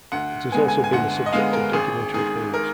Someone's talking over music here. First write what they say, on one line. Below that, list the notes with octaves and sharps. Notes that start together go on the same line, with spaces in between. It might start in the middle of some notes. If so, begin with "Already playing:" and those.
It has also been the subject of documentary films.
D2 F#5
D3 G#3 B3 G#5
G#5
G#5
D2 F#5
D#5
D3 G#3 B3 F5
A#4
G#1 G#4
G#2 D#3 G#4
A#4